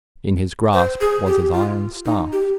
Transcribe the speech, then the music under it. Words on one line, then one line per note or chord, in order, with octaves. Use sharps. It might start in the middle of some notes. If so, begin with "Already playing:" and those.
In his grasp was his iron staff.
C5
G#4
G4
F4
D#4
G4